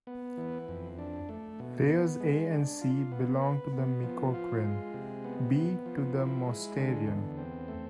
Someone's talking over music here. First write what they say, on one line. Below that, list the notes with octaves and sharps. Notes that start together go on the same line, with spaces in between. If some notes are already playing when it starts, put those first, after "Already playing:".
Layers A and C belong to the Micoquien, B to the Mousterian.
B3
E3
F2
D4
A3
B2
B3
G#3
D4
F4
B3
B4
B3
F3
F4
G#3
C3
B3
B3
F3
E4
G#3
D3
E2
C4
A3